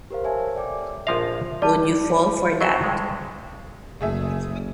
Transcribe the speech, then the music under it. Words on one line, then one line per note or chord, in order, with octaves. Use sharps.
Would You Fall for That?
G4 A#4 C5 F5
G4 C#5 E5 G#5 A5
A4 D5 G5 D6
A#1 F3 E5 F5
G3 D5 A5
F#3 C4 C5
G2 G#3
F#1 A3 G#4 E5